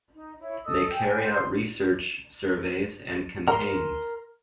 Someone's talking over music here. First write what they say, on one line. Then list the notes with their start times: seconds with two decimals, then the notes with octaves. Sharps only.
They carry out research, surveys and campaigns.
0.14 D#4
0.39 E4 C#5
0.65 A4 D#5 D#6 E6
0.92 G5 G#5
1.25 B4 C6 G6
3.48 A#4 A#5 C6